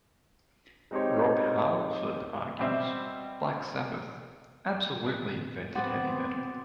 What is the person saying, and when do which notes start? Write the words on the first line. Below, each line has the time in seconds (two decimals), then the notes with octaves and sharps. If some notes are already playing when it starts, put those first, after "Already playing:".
Rob Halford argues:Black Sabbath absolutely invented heavy metal.
0.91 G#3 C4 D#4 G4 C5 C#5
2.59 B2 G3 C4 E5
5.75 B3 C4 F#4 C6 D6 A6